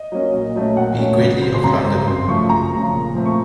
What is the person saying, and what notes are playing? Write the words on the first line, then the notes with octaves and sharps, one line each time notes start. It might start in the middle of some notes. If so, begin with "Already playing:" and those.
B. Gridley of London.
Already playing: D#5
F#3 A#3 C#4
A#2
F#3 A3 C#4
A#2 F#5
F#3 A3 C#4
C#3
F#3 C4
C6
C#3 A#5
F#3 C4
F#2 C6
C#3 F3 A3 C#6
F#2 A#5
C#3 F3 A3
A#2
F3 A3 C4
C#6